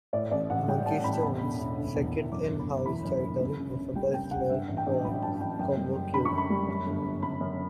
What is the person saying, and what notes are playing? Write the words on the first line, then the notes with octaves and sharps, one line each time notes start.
Monkeystone's second in-house title was a puzzler called "Congo Cube".
A2 D5
A1 D5
A1 F#5
G3 G5
A2 A5
A1 B5
E2 B5
E1
E1
D3
E2
E1
F#2 D6
G1
B5
G1
E3 B5
F#2
G1
C#3
C#2
C#2
G3 G5
C#3 G5
C#2 F#5
G2 E5
A1
G5
A1
F#3 B5
G2 A5
A1 G5
F#2 G5
G3
F#1
D3 B5
C#6
F#2
B5
G3
F#2
G1
G1
C#3 B5
F#2